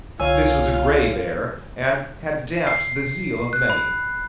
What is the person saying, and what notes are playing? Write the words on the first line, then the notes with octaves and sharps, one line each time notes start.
This was a grave error, and had damped the zeal of many.
C2 D3 F4 C#5 F5 G#5 E6
C7
F#6
B5